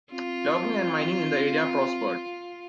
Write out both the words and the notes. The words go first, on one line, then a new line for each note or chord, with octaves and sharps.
Logging and mining in the area prospered.
C4 F4